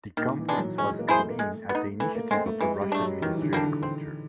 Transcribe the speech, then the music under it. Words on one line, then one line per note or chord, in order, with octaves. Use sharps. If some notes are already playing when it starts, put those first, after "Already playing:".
The conference was convened at the initiative of the Russian Ministry of Culture.
A#2 D#3
D#3
E3
G#3 B3 D4
F#3
G#3 C#4
A#3
E4 G#4 C5
A3
A#3
G#3 A3
B3
D#4
E3 A3
A#3
G#3 A3 C4
A3
E3 G#3
G3
A3 D4
F#3
D#3 E3
D#3
D3
G3 A#3 D4
D3
C4